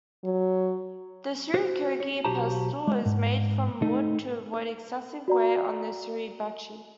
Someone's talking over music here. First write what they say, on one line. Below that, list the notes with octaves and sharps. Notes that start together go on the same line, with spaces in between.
The "surikogi" pestle is made from wood to avoid excessive wear on the "suribachi".
F#3
F#4 C5
C#5
B1 F#4 G4 C5 A5 A#5
G#3
G#2
A3 D#4
F#4 D5 A#5